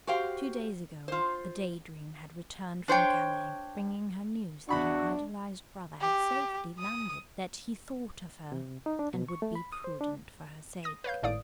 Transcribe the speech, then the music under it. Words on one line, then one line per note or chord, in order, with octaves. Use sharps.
Two days ago the DAY DREAM had returned from Calais, bringing her news that her idolised brother had safely landed, that he thought of her, and would be prudent for her sake.
F#4 G4 C5 F5 G5
F4 C5
D4 C5 C#5 G5
E2 D4 F#4 B5 C#6
G4
D#6
C3
D#4
D4
B2
C#6
A3
B5
D#6
C5
D4
D#6 A#6 D#7
B4 C#5 F5 G6
G#1 A2 D5 F5 D#6 D7